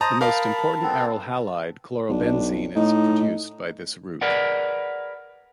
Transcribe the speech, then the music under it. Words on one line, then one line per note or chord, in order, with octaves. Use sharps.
The most important aryl halide, chlorobenzene is produced by this route.
C5 D#5 A5 A#5 D#6
A#4 F5 A5 B5
B3 C4 A4
B1 D4
A2 D#4
G#4 A#4 B4 D5 F#5